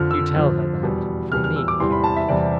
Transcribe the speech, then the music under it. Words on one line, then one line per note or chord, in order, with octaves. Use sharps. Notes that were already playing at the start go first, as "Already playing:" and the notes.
You tell her that--from me, if you like.
Already playing: F2 D3 F3 F6
E6
F2 D3 F3
E2 B2 G3
E2 B2 G3 F6
F6
E6
D6
E2 C3 E3 G3 C6
B5
A5
E5
E2 C3 E3 G3 D5